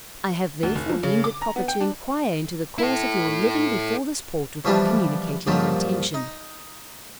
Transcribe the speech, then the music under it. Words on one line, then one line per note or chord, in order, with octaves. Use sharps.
I have therefore deemed it proper to inquire into the cause of your living before this port without communicating your intention.
D2
F1
F3
C#3
D6
A#5
B3
G5
D4
E4 A4
B2 E3 F3 G3 D4
G2 A#2 D#3 F3 F#3
D#4